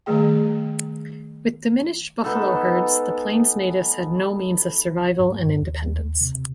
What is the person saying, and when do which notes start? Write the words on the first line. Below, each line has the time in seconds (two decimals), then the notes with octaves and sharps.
With diminished buffalo herds the Plains Natives had no means of survival and independence.
0.06 D#3 G3 A3 G#4 G5
2.24 G#3 B3 D#4 A4
5.19 G2
5.62 D#2
6.21 C3